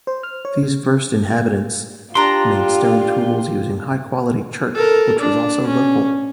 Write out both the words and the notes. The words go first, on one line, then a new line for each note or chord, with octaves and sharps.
These first inhabitants made stone tools using high quality chert which was also local.
C5
F6
C#5
C#3
D4 F4 G4 A#5 C6
A4 A#4
D4
C#4